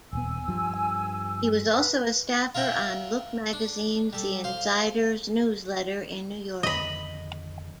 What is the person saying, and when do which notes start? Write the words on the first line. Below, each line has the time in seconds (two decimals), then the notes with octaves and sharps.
He was also a staffer on "Look Magazine"'s "The Insider's Newsletter" in New York.
0.13 D#1 B3 G#5 E6
0.48 G2 F3
1.71 B4
2.55 F4 A#4 E5 F#5 G5
3.53 D4
4.13 G3 A4
4.44 C5 F5
6.63 F2 D3 D#3 D#5 B5